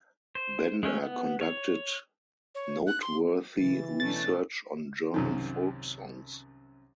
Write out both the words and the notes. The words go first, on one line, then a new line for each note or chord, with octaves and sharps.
Bender conducted noteworthy research on German folk songs.
C5
G#3 A3 C#4
B3
C#5
C#5
F#6
C6
C#3 E3 A6
B2 A3 C#4 D4 A6
C2 F#2 D#3